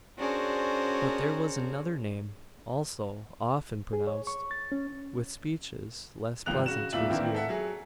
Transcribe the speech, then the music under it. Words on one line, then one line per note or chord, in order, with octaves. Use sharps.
But there was another name also often pronounced--with speeches less pleasant to his ear.
C#4 D4 F#4 G#4 A#4 C5
G#4
C#5
C#6
A6
C#4
G#1 G2 D#3 F3 F#6 F7
C#3 F#4 E7
D1 A#2 F4 E5 F#7
D#3 E3 A#3 C4 D4 E4
A4 E5 F#5
F#3 G#4